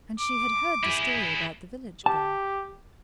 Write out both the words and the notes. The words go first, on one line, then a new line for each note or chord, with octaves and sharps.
And she had heard the story about the village girl.
D6
E4 G#4
G4 A5